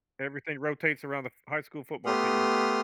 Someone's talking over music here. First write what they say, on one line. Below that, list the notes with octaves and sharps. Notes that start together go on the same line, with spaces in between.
everything rotates around the f high school football team.
A3 B3 G4 C6 D#6 F6